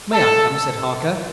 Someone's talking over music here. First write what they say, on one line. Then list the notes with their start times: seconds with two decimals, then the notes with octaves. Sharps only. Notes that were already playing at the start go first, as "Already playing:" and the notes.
"May I come?" said Harker.
0.13 A4